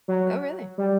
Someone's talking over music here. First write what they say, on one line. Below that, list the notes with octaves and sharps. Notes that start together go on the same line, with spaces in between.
Oh, really?
F#3
G3